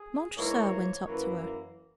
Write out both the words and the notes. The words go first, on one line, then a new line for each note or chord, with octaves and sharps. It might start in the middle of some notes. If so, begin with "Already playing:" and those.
Montresor went up to her.
Already playing: G#4
G#2 E3 A#3 C#5
F#2 E3 A#3 B4